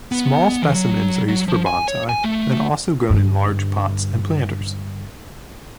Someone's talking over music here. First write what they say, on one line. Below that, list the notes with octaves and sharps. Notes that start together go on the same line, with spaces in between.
Small specimens are used for Bonsai, and also grown in large pots and planters.
B3
E3
F#3
F#3
F3
G#5
C#5
G#5
A3
G2 D3